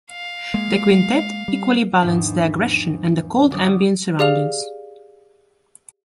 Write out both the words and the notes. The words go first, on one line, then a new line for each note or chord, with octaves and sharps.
The quintet equally balance the aggression and the cold ambient surroundings.
F5
G#3 A#3
G3
E2 G#2 D#3 F3 B3 D4
G1 F#3 C#4 D6 D#6 A6
G4 G#4 D5 F5 F6 F7